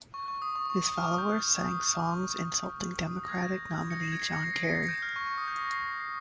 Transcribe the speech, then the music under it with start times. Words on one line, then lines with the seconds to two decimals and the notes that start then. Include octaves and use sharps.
His followers sang songs insulting Democratic nominee John Kerry.
0.14 C#6
0.28 C#6
0.42 D#6
0.56 C#6
0.70 C#6
0.84 D#6
0.98 F6
1.08 F6
1.18 G6
1.29 F6
1.40 D#6
1.60 D#6
1.72 D#6
1.81 C#6
3.07 D#6
3.23 A#6
3.28 G#6
3.39 G6
3.90 A#6 C#7
4.01 C7
4.12 G#6
4.22 C7
4.32 A#6 C#7
4.44 C7
4.54 C7
4.63 A#6 C#7
4.75 C7
4.88 G6
5.02 F6
5.16 C#6
5.27 C#6
5.37 D#6
5.48 G6
5.59 A#6
5.73 C7
5.86 C7
6.00 C7